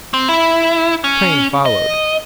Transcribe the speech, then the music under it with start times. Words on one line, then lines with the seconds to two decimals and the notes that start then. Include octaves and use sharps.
Crane followed.
0.14 C4
0.29 E4
1.04 C#4
1.66 D#5